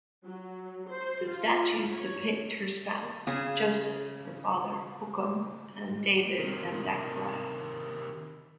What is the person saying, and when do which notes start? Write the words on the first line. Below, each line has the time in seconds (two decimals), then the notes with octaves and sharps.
The statues depict her spouse Joseph, her father Joachim, and David and Zachariah.
0.24 F#3
0.88 C5
1.29 F4
1.92 C#5
3.27 C#3 G#4
6.38 C3 D#3